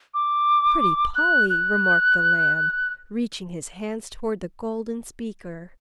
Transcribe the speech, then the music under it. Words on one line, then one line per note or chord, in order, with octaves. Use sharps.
'Pretty Polly!' remarked the Lamb, reaching his hands towards the golden speaker.
D6
F#6
F#6